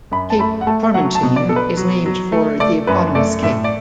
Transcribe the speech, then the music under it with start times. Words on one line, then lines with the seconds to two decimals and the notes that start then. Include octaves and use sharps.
Cape Tormentine is named for the eponymous cape.
0.11 F#2 B5
0.30 A5
0.39 A3 B5
0.61 F#5
0.67 A3 A5
0.94 F#3 F#5
1.15 A5
1.23 B2
1.36 D5
1.49 B2 A4
1.56 B4
1.77 F#3
2.06 F#3
2.32 A3
2.60 A3 D5
2.87 F#2 B4
3.15 A3 D5
3.42 A2 E5
3.64 D5